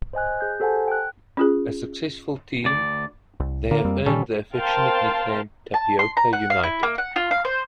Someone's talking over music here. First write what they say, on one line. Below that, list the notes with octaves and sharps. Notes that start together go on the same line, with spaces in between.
A successful team, they have earned the affectionate nickname Tapioca United.
C5 D#5 G#5 F#6
G#4 G6
G4 A4 C5 F#5 G#5 A5
G5 F#6
C#4 F4 G#4
D2 D5
C2
D3 A#3
F2 G3 C4
A#2 D#3 G3 C#4 A4
A#4 C5 F5 G5 A5 C6
A5
C6
A#5
F#5
F5
E4
A#3
F#5
F4
F5
C5